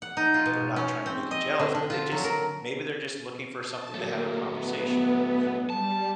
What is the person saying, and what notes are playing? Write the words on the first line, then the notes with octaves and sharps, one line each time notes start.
they're not trying to make you jealous, but they just maybe they're just looking for something to have a conversation about, you know?
F#5
D#4
F4
B2
C#4
C4
D#5
D3
D3
F4
F#3
A#4
A5
F#3 A3 A#3
B3
G3 A5